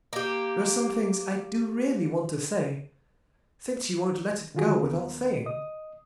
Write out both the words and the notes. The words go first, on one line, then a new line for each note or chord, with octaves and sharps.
There are some things I do really want to say, since you won't let it go without saying.
A#3 G4
D3 D#3 F4 F#4 G#4
D#2 B3 A#4
D#5 D#6